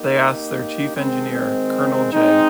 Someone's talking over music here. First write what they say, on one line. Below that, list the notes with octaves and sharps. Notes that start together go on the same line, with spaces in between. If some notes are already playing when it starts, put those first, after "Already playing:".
They asked their Chief Engineer Colonel J.
Already playing: A#3 D#4 G4
D#3 G#3 C4
G#3 C4 D#4